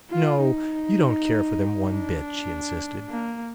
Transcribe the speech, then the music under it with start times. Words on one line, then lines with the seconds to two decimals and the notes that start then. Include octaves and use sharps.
"No, you don't care for them one bit," she insisted.
0.11 F4
0.42 D#4
1.91 D4
3.10 A#3